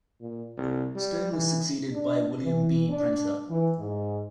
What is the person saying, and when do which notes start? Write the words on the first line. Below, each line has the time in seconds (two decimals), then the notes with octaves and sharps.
Stone was succeeded by William B. Prenter.
0.21 A#2
0.57 C2
0.95 G3
1.32 E3
1.92 D4
2.43 E3
2.89 D4
3.49 E3
3.79 G#2